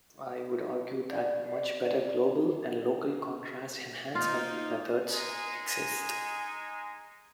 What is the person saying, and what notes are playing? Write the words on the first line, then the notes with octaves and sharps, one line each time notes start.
I would argue that much better global and local contrast enhancement methods exist.
D5
A#3 D#4 F4 C5
G#3 D#4 G#5